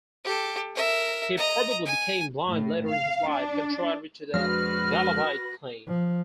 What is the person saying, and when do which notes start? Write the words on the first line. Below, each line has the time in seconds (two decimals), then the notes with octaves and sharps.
He probably became blind later in his life, contrary to the Vallabhite claim.
0.24 G4 A4
0.75 A#4 E5
1.37 D#5 A#5
1.86 G#5
2.48 A2
2.89 F5
3.31 D4
4.34 F2 G#3 D4 F#4 B4 F6 A#6
5.88 F3